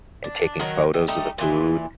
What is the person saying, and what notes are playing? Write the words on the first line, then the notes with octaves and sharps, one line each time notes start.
and taking photos of the food,
D4
D#3 F#3 A#4
D#3
G3 A3 D#4
A#2 E3